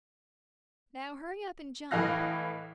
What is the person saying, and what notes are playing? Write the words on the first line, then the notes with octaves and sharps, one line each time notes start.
Now, hurry up and jump.
A2 E3 D#5 F5 F#6 A#6